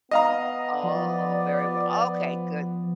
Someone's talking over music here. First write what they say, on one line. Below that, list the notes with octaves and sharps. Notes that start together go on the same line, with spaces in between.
Oh, very w okay, good.
B3 D#5 F5 A#5
F3 D5